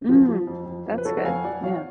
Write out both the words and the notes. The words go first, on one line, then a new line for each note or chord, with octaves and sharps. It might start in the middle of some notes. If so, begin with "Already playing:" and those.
Mm. That's good. Yeah.
F3
F3
F2
F2
F2
B4
F3 A4 C#5
F#5
F2 F5 G#5
F3 D5 F#5
F3 C#5 F5